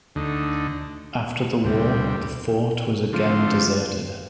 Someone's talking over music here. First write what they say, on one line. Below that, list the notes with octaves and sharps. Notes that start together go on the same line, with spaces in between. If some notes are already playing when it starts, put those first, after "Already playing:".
After the war, the fort was again deserted.
D2 D3 A3 D#4
D2 C3 G3
D3 F3 A3 C4 F4